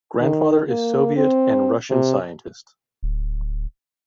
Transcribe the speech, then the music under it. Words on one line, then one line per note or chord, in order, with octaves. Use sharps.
Grandfather is Soviet and Russian scientist.
D#3
A#3
C4
C3
D1